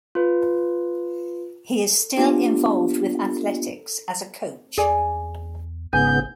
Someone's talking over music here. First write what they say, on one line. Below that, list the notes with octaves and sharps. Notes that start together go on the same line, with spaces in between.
He is still involved with athletics as a coach.
F4 B4
A#3 B3 D4 F4 G4
E2 G#4 D5 G#5
G1 G#2 C#3 B3 G#5 G6